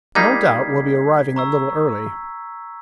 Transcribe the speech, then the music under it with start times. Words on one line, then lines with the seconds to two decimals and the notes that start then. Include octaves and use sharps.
No doubt we'll be arriving a little early.
0.15 G3 A#3 D#4 G#6 B6 C7
1.36 A#5 C#6 E6